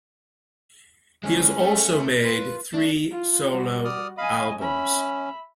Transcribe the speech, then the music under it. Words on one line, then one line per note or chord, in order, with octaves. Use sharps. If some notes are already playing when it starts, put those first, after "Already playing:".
He has also made three solo albums.
D3 G#3 C#4
A3
F4 B4
A3 D4
F4
G3 F#4
D5 D#6 F6
D#5 F5 G#5 B5
C#4 E5 B5